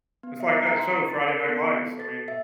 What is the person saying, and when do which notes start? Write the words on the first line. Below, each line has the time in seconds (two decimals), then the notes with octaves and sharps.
It's like that show, Friday Night Lights, I mean,
0.23 B3
0.40 E5
0.53 A#5
0.67 A#5
0.79 C6
0.92 C4
1.08 A6
1.28 A#4
1.49 B3
1.86 A4
2.00 A6
2.28 E5